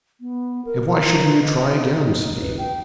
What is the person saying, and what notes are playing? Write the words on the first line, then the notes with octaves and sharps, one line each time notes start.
"And why shouldn't you try again?" said Eames.
B3
A#4
A#5
B4
D#5
D#4
B4
G5